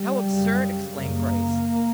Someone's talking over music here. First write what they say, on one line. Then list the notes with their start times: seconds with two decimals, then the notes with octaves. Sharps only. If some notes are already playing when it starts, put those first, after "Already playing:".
"How absurd!" exclaimed Grace.
Already playing: G3
0.26 F#2 C#3
0.95 F#2 C#3 A#3